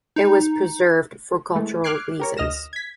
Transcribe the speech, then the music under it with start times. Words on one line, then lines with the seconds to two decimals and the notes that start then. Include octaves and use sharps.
It was preserved for cultural reasons.
0.16 D#4
1.55 E3 G#3 A3
1.84 D6 F6 F#6 G#6 C7 D7
2.20 G4 A#4 C#5
2.37 D2 D#5 F6 A#6 E7
2.73 G#6 B6